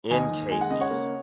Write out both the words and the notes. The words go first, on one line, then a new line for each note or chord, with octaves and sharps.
in Casey's,
D#2 D#5 G#5
D#2
G#3 G#5
F#5
C#3 D#5
C#5 F#5
A#3